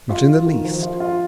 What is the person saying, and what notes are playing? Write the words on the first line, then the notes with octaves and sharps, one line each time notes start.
"Not in the least."
F4
F4
D#3
F3
F4
F4